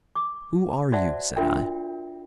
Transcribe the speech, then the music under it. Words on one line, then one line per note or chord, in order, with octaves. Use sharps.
"Who are you?" said I.
D6
F#4 C5 D5 E5 F#5 A5
D4 F4 F#4 A#4 E5 G5